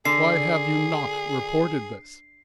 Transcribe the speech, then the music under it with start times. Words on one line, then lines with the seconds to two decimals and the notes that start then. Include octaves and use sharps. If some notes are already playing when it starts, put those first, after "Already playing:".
Why have you not reported this?
0.05 D3 G#4 C7